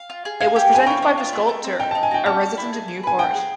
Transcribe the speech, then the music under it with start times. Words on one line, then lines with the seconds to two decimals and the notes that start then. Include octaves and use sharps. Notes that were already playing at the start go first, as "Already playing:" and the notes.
It was presented by the sculptor, a resident of Newport.
Already playing: F5
0.10 F4
0.25 G#4
0.41 F5 G#5
0.56 G4
0.72 B4 G#5
0.86 C#4 G5
1.02 C#4
1.18 F4
1.33 A3
1.49 A3
1.64 C4
1.80 D#4 G5
1.91 A5
1.95 D#4
2.03 G#5
2.11 F#4 G5
2.26 C#4 A5
2.41 C#4
2.57 E4
2.73 G#4
2.88 G#4
3.03 B4 G#5
3.19 F#5 G5
3.34 G#4